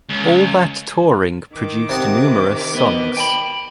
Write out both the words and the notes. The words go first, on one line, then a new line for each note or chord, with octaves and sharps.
All that touring produced numerous songs.
C#2
D#3 D6
C3 F#5 D#6
B3 B4 D#5
G5 G#5 B5